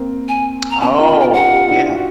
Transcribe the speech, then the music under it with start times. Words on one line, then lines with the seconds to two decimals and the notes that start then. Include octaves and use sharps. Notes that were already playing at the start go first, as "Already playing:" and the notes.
Oh, yeah.
Already playing: A#3 C4
0.28 G#5
0.71 A#5
0.81 B3 C#4 A5
0.99 D#4 F4
1.08 B5
1.16 F4 G4
1.20 G5
1.33 F4 G4 F#5
1.51 F4 G4
1.69 D4 E4
1.86 F4
1.95 F#4